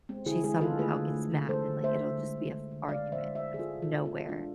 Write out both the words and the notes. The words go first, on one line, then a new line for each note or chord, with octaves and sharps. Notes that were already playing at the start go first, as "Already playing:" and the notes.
she somehow gets mad and, like, it'll just be a f argument out of nowhere,
G#3 C4
D3 E4 G#4
G#3 E4 G#4
B4
D3 F4 A4
A3 G#4 B4
D3
A3
D3
A3 A4 C5
D3
A3 C5 E5
D3
G#3
D3
G#3
D3
G#3 D5 F5
D3
C5 E5
G#3
C5 E5
D3
G#4
G#3 F4 A4
B2
F4 A4
G#3
F4 A4
B2
G#3 D4 F4